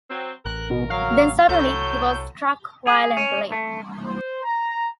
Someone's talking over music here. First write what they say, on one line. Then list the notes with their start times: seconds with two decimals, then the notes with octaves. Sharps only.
Then suddenly he was struck violently.
0.10 F#3 C4
0.45 A1 A#4 F#6
0.70 B2
0.90 F#3 F5
1.49 C2 A2 F#3 A4 C#5 G6
2.87 G#4
3.17 C#4
3.52 A3
4.06 C5
4.44 A#5